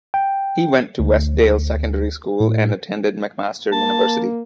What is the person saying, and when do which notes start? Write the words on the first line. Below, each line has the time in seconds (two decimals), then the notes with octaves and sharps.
He went to Westdale Secondary School, and attended McMaster University.
0.14 G5
1.00 D2
2.40 A2
3.72 A#3 A5